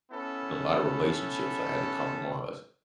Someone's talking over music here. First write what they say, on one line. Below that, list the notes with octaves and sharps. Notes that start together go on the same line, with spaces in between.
in a lotta relationships, I had to compromise.
B3 C#4 E4 A4